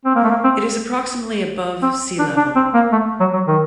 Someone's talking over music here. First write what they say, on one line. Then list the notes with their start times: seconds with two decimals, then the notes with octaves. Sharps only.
It is approximately above sea level.
0.05 C4
0.16 A#3
0.24 A3
0.30 A#3
0.44 C4
1.82 C4
2.19 D4
2.37 D4
2.56 C4
2.74 A#3
2.92 A3
3.20 F#3
3.33 F#3
3.47 D#3